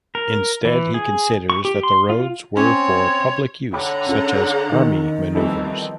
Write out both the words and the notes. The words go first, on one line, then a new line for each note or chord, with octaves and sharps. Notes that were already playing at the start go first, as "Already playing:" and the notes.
Instead he considers that the roads were for public use such as army manoeuvres.
A#4
E3
G#4
C#6
G4
C6
F4
C4 C#4 C#5
D3 C#5 F#5 G5 A#5 B5 D6
C#4 F4 A4
D#3 D#5
E3 F3 G3 A3 B3 C4